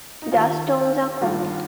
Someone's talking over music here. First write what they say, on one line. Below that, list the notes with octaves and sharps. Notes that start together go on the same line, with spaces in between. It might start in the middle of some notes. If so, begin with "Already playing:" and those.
Dust storms are common.
D#4
D#2 D#3 F4
G1 G2 D#3 F4